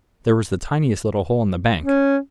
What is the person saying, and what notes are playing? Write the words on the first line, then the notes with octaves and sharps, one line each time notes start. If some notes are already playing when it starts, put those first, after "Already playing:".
There was the tiniest little hole in the bank.
C#4